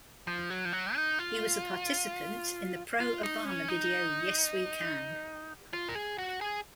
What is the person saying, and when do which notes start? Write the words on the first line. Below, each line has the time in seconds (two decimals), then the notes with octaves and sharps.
He was a participant in the pro-Obama video, "Yes We Can".
0.27 F3
0.50 F#3
0.65 F3
0.73 F#3
0.95 D#4
1.19 F4
3.00 F4
3.23 D#4
3.45 C#4
3.68 D#4
5.73 F4
5.89 A#4
5.95 G#4
6.18 F#4
6.41 G#4